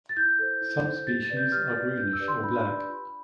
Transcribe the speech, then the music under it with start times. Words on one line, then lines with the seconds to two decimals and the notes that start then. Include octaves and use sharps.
Some species are greenish or black.
0.09 A6
0.17 E4 G6
0.39 A4 C5
0.61 E4
0.85 A4 C5
1.07 G4 A6
1.23 A6
1.30 B4 D5
1.37 G6
1.52 G4 F6
1.68 A6
1.75 B4 D5
1.98 D4 G6
2.13 E6
2.20 G4 B4 D5
2.28 C6
2.42 D4 B5
2.65 G4 B4 D5
2.89 F4